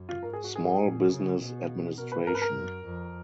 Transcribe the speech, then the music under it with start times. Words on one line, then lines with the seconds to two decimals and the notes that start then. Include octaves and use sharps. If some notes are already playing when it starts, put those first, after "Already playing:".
Small Business Administration.
Already playing: F#2
0.09 F4
0.23 G#2 A#4
0.33 G#4
0.44 F#4
0.56 G#4
0.82 A#2
1.11 C#3
1.39 B2
1.98 B2 A#4
2.12 B4
2.27 G#2 A#4
2.35 B4
2.42 A#4
2.56 F#2
2.85 F2